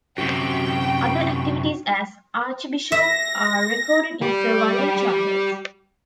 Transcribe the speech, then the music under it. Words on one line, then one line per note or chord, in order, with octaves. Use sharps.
Other activities as archbishop are recorded in surviving charters.
F#2 C3 F#4 G5
E5 A#6
G3 G4